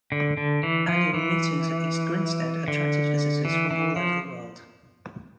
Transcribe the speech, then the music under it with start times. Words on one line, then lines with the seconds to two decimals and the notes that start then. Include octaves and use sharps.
Annual meetings at East Grinstead attracted visitors from all over the world.
0.12 D3
0.37 D3
0.63 E3
0.89 F3
1.14 E3
2.68 D3
3.45 E3
3.71 E3
3.96 F3